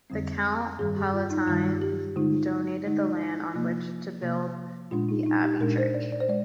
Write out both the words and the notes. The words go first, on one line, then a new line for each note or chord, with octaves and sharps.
The count Palatine donated the land on which to build the abbey church.
F2 D3 G3 C4
G2 D#3 G3 G#4
G4
F4
D#4
G2 D#3 G3 F4
G4
D3 G#3 D#4 F4
D3 G#3 D#4
C3 F3 A#3 F4
C3 F3 A#3
A#2 G#3 D4 F4
D#4
D#4
G4
A#2 G#3 D4 A#4
C5
D5
D5
C5
G#3 D5